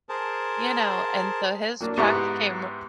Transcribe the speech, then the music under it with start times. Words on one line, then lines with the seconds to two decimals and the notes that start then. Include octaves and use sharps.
You know? And, so, his truck came
0.09 G#4 A#4 C5 A5
1.81 F#3 A#3 D4
1.97 G#2 B3 E4 G4 A#5 C#6